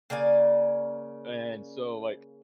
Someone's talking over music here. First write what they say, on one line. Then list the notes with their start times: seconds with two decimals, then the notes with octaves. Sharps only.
And so, like,
0.10 C#3 A#3 D5 G#5